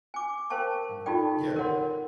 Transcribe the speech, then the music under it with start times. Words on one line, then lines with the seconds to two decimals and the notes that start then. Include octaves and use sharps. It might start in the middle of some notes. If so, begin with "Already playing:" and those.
Mhm, yeah.
0.14 G#5 D6
0.50 A#4 C5 F5 G5 A5 C#6
1.06 D#4 F4 G4 A4 D5 G5
1.56 A#4 C#5 F#5 C6